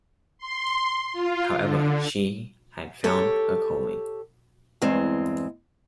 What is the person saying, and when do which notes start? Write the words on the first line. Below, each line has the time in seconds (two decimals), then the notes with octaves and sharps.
However, she had found her calling.
0.38 C6
1.13 F4
1.55 D3
3.04 G4 A4 C#5
4.82 E2 G2 G#3 C4